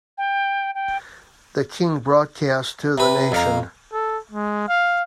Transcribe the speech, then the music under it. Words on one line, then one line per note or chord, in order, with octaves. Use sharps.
The King broadcast to the nation.
G5
G5
C3 B4
F2 F5 A#5
A4
G#3
F5